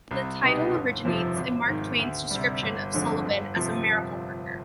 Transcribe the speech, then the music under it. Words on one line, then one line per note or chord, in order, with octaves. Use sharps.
The title originates in Mark Twain's description of Sullivan as a "miracle worker".
C2
B2 B3 D#4 G4
G1
F2 C3 F3
G#1
G#2 D#3
D2
C3 G3
G1
F2 D3 G#3
G1
C3 F3